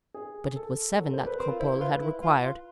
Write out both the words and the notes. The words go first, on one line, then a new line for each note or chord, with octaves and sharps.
But it was seven that Cropole had required.
G#4
A4
F#3 A4
C5
G3
B4
C4 A#4
F4
E4 C5
E4
F4 B4
E4
F4
F4